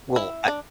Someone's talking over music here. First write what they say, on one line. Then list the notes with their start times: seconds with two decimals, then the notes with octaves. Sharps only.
Well, I
0.16 E4
0.48 D4